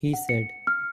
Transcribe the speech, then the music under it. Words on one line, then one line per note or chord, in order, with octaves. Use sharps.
He said ...
F#5
C#7
F6